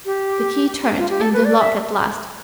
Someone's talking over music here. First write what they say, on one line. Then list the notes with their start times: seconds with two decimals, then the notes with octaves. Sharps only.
The key turned in the lock at last.
0.05 G4
0.98 F4
1.10 G4
1.21 A4
1.33 B4
1.44 D5
1.59 E5